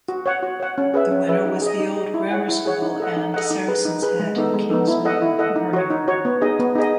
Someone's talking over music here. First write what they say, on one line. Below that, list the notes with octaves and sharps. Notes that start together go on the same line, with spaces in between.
The winner was the Old Grammar School and Saracen's Head in Kings Norton, Birmingham.
F#4
C#5 F#5
F#4
C#5 F#5
C#4
G#4 B4 E5
C#4
G#4 B4 E5
D#4
G#4 D#5
D#4
G#4 D#5
E4
G#4 C#5 F#5
E4
G#4 C#5 F#5
D#4
A4 D#5 F#5
D#4
A4 D#5 F#5
D#4
G#4 B4
D#4
G#4 B4
G#3
B3 D#4 A4
G#3
B3 D#4 A4
E4
A4 D#5 F#5
E4
A4 D#5 F#5
D#4
F#4 C#5
D#4
F#4 C#5
B3
D#4 G#4 D#5
B3
D#4 G#4 D#5